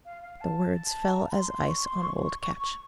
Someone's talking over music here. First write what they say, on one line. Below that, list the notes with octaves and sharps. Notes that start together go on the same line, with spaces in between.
The words fell as ice on old Ketch.
F5
F5
A5
A#5
C6
C6
C#6
C6
C#6
C#6
C#6
C#6